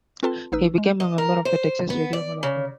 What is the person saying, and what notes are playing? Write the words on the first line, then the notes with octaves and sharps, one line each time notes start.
He became a member of the Texas Radio Hall of Fame.
C4 F4 A4 B4 A5 C6
A1 D#4 B4 E6
G#3
D#5
A#4
C5
B3
D5
C#3